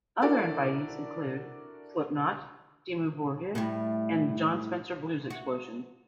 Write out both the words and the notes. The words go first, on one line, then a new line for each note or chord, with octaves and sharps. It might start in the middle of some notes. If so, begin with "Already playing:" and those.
Other invitees included Slipknot, Dimmu Borgir, and the Jon Spencer Blues Explosion.
D4 E4 F#4 A4 A#4 D5
A2 G3
F#4